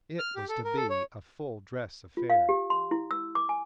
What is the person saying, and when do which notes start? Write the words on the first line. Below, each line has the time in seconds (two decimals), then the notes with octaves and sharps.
It was to be a full-dress affair.
0.19 F6
0.36 G4
0.49 A4
0.65 A#4
0.77 A4
0.90 C#5
2.17 F4
2.30 F5
2.49 G4
2.70 C6
2.91 E4
3.11 E6
3.35 D6
3.49 G#5